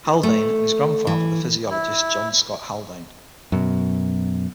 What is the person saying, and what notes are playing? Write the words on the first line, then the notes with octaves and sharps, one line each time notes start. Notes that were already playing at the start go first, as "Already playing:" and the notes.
Haldane and his grandfather the physiologist John Scott Haldane.
A3
E3
E4
F#2 B2